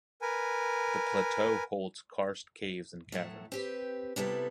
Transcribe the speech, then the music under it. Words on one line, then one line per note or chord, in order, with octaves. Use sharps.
The plateau holds karst caves and caverns.
A#4 B4 G#5
A2 F#3 A3
C4 G4 B4
C3 G3 B3 E4 A4